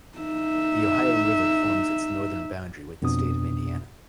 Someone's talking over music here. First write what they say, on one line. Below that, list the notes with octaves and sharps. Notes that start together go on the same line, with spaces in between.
The Ohio River forms its northern boundary with the state of Indiana.
D#4 E5
F2 B2 B3 D4 D#6